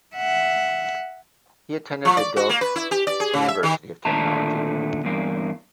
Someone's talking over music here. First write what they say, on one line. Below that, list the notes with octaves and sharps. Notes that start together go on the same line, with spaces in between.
He attended the Delft University of Technology.
E5 F#5
F3
D5
F#4
A#3
B4
E4
G4
D5
G#4
C#3
E5
D#3
A#2 D3 D#3 A3 A5 A#5
E2 G2 A#3